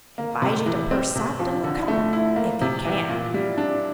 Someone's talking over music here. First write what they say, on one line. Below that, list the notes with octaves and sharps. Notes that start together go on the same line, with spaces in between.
Advise you to purr soft and look humble--if you can.
A#3
C3
E3
C4
C3
F3
D3
A3
E4
A#3
C3
E3
A#2
G3
D4